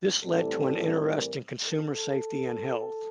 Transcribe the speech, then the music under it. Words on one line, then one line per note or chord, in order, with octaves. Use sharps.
This led to an interest in consumer safety and health.
A2 E3 G3 C4 A4
A#4
A4
A4